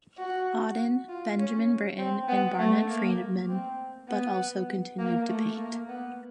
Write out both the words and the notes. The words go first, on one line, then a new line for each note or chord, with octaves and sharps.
Auden, Benjamin Britten and Barnett Freedman but also continued to paint.
F#4
F4
C#4
C4
B3
A3
A#3
C4
B3
A#3
A3
A#3
B3